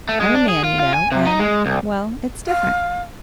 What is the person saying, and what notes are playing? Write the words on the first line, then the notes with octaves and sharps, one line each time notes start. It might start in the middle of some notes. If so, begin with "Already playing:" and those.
I'm a man, you know, and--well, it's different.
A3
G#3
D4
G#4
F4
F4
G#5
C3
D#4
G#3
C2
F5